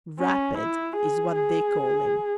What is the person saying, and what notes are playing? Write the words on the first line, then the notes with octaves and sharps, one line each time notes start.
"Rapid" is what they call him.
C#4
E4
G#4
G#4